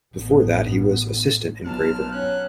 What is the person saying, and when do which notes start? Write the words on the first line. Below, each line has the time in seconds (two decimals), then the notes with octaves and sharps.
Before that, he was Assistant Engraver.
0.13 A1 B3
1.65 B1 F4 A5 F6
2.12 F#3 C#4 F#6